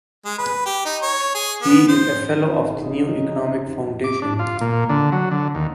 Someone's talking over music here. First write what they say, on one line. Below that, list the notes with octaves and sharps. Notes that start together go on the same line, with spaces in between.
He is a fellow of the New Economics Foundation.
G#3
B4
G4
D#4
C#5
G#4
B3
C5
C#3 D#4
D6
D4
F4
A#2
D3
F#3
D3
D#2